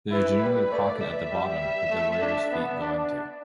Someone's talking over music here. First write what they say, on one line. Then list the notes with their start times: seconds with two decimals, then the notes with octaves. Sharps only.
There is generally a pocket at the bottom that the wearer's feet go into.
0.12 E4 B4
0.41 G3 B4
0.71 A3 D5
1.01 E5
1.31 G3
1.61 G3
1.91 A3
2.21 D4
2.52 B3
2.81 D4